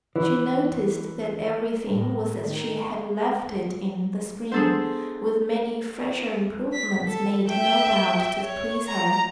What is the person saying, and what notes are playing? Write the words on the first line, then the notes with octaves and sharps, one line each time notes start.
She noticed that everything was as she had left it in the spring, with many fresher improvements, made, no doubt, to please her.
E3
A2
D#3
B3 D4 G#4 A4 C5
B6
A4
E5 G5
C#5
A#5